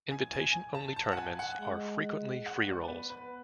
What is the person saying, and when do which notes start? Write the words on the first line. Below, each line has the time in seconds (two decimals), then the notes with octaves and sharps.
Invitation-only tournaments are frequently freerolls.
0.11 G#5
0.33 G#5
0.53 G#5
0.74 A5
0.96 A5
1.13 F#5
1.17 G#5
1.39 F#5
1.61 G#3
2.46 F#5
2.68 D5
2.88 B3 B4
3.10 B4